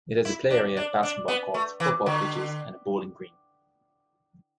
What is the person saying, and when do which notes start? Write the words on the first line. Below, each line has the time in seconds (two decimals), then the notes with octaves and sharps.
It has a play area, basketball courts, football pitches and a bowling green.
0.25 E4
0.50 D4
0.77 D4
1.03 D4
1.28 B3
1.54 A3
1.80 E3
2.06 D3